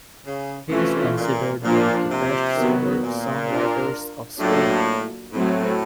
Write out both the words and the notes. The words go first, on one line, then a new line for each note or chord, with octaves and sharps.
He is considered one of the best singer-songwriters of Spain.
C#3
C3 E3 A3 C#4 F4
A#2
A#2 F3 A#3 D4 F4
C3
D#3 F#3 B3
A#2
D4 F4 A#4
A2 F#3 A#3 D4 F4 A4
A2 F#3 A3 C4